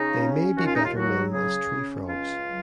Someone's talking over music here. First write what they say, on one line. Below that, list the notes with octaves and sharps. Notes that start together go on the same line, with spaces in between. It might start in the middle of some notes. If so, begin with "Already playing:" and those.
They may be better known as tree frogs.
Already playing: C#3 D#4
C#4
D#2 F#4
F4
D#4
F4
F#3 F#4
C#3 G#4
C#4
C#2 F4
F#3